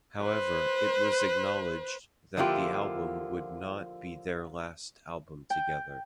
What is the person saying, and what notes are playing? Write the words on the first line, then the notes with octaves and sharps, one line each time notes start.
However, it was acknowledged that the album would not be their last album together.
B4 C5
D3 F3 A#3 E4 F4 G4
G5